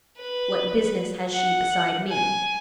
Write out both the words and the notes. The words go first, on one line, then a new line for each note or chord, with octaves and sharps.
"What business has she beside me!"
B4
F#5
G#5